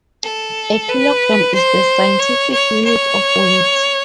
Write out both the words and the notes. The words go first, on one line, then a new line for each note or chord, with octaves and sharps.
A kilogram is the scientific unit of weight.
A4
B4
C5
C#5
C#5
C#5